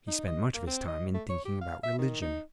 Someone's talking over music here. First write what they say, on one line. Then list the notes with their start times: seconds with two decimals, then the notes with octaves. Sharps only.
He spent much of his time in thinking about religion.
0.08 D#4
0.28 D#5
0.54 A#3
0.67 C4
0.88 D#5
1.14 A3
1.30 C#5
1.45 G4
1.61 F5
1.83 E5
1.99 D#3
2.22 D#4